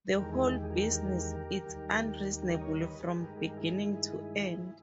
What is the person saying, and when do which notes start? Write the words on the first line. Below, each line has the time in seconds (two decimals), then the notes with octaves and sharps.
The whole business — it's unreasonable from beginning to end.
0.13 E2 D#3 G#3 G4 A#4
0.32 E4 G#4
0.51 G4
0.63 G#4
0.70 G4 A#4
1.66 D#2 D#3 G3
2.42 G4 A#4
2.54 D#5
2.61 A#4 C#5
2.81 B4 D#5
3.00 G#4 B4
3.18 G2 D#3 G#3 G4 A#4
3.33 G#4
3.37 G4 A#4
3.50 A#4
3.57 E4 G#4
3.76 E4 G#4
4.60 E4